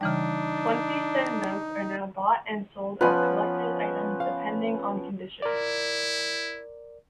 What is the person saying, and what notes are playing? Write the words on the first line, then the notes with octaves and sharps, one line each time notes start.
Twenty sen notes are now bought and sold as collectors items depending on condition.
C#3 E3 G3 D4 D#4
F3 B3 C#4 F4 B4 G#5 B5
F5
E4 A#4 D5